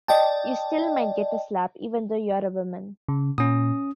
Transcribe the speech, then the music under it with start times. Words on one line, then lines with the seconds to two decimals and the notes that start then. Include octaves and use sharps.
You still might get a slap even though you're a woman.
0.08 D5 D#5 G5 A5
3.08 C#3
3.38 A#2 C#4 D#6